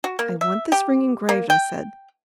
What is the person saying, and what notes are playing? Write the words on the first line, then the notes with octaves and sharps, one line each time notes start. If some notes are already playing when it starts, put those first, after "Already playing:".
"I want this ring engraved," I said.
F#4
A#3
E5
G4
A#3
G5